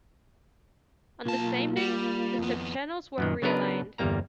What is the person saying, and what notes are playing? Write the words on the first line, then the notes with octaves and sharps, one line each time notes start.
On the same day, the subchannels were realigned.
B1 A#3 F4 A5
G3
F2 B3
F#2 A#2 D#3
C#3 F#3 B3 D4 A#4 B4
G1 E2 G3 A#3 A#5